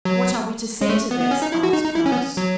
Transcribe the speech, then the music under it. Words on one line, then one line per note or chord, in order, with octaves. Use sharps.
"What are we to say to this?" asked Franz.
F#3
G#3
A3
B3
B3
C#4
D#4
E4
F#4
D#4
D#4
E4
C#4
B3
C#4
F#3